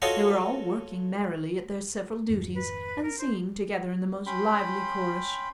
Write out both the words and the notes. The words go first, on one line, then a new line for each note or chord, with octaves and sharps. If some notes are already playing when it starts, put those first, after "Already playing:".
They were all working merrily at their several duties, and singing together in the most lively chorus.
F4 F#4 A4 C#5 D#5 C6
F2 G#2 D#3
B4
A#4
C5
C#4 G5 B5 C6